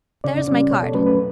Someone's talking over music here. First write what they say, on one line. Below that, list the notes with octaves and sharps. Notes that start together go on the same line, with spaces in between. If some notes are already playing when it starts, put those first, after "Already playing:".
There's my card.
C#3 D5
G3 C#4
B2 C#5
A4
F#3 A3 C#4 B4
B4